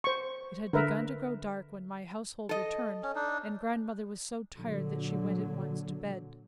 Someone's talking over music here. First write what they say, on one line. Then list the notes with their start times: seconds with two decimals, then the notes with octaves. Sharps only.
It had begun to grow dark when my household returned, and grandmother was so tired that she went at once to bed.
0.04 C5 C#6
0.73 D3 A#4 B4 E5
2.49 A4 D#5
3.03 C#4
3.15 D4 D#4
4.54 A#2 D3 F#3